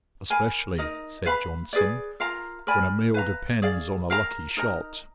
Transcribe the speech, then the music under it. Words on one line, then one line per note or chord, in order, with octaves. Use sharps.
"Especially," said Johnson, "when a meal depends on a lucky shot."
A#4 F5 G#5 B5
D#4 A#4 D#5
B4 F5 B5
G#4 B4 D5
F4 A#4 F5 A#5
A#4 D5 G#5 B5
B4 F5 A#5
G#4 D5 F5
A#4 F5 A#5
D#4 A#4 D#5 A#5